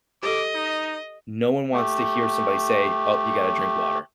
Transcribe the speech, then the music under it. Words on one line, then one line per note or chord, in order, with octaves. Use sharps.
no one wants to hear somebody say, "Oh, you gotta drink water,"
G4 A4 D#5 D6
D#4
A3 G4